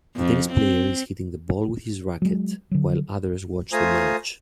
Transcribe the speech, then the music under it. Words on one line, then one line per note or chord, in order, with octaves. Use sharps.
The tennis player is hitting the ball with his racquet, while others watch the match.
F2
C4
F#3 G#3
D3 F#3
A3 F4 C5 G#5 A#5 D#6